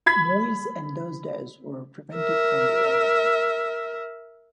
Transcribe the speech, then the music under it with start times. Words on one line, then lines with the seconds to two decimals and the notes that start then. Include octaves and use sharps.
Movies in those days were prevented from reality.
0.06 B5 G#6 B6
2.16 A#4 E5